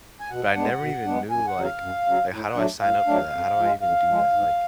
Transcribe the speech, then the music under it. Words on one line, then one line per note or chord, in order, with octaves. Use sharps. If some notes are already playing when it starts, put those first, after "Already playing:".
but I never even knew like like how do I sign up for that? How do I even do that? Like,
G#5
B2 F#5
G#3 B3 D4
B2
G#3 B3 D4
F#2 G#5
F#5
C#3 F#3
F5
F#2
C#3 F#3
A2
F#5
F#3 A3 D4
A2 F5
F#3 A3 D4
F2
F3 G#3
F2 F5
F3 G#3
G#2